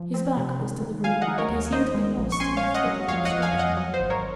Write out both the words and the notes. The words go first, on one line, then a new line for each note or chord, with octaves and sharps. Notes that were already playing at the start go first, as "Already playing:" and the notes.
His back was to the room and he seemed to be lost in a fit of abstraction.
Already playing: F3
C4
C3
D#3
D#3
G#3 F5 G#5
D#5 F#5
D#4
A#4 C#5
D#2
D#4 C5 D#5
G#3
A#1
C#6
C#4 G#5 C6
C#5 F5
C#4
D#5 F#5
F#3
F2 C#5 F5
D#5 F#5
F2
F5 G#5
F2
D#5 F#5
F#3
C5
G#1
A#4 C#5